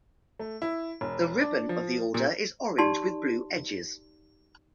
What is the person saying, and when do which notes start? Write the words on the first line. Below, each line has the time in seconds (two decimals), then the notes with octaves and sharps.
The "ribbon" of the Order is orange with blue edges.
0.39 A3
0.62 E4
1.01 E1
1.42 D4
1.69 F3
2.14 A#2
2.78 D#4 G4 D5 A5 C6